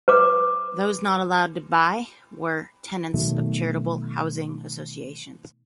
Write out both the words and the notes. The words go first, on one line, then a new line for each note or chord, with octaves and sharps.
Those not allowed to buy were tenants of charitable housing associations.
B4 D6
B2 D#3 F#3 A3